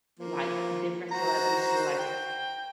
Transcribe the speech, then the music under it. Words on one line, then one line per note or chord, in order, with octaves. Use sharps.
like different celebrities who were, like,
F3 A#3
F#4 C5 A#5
G5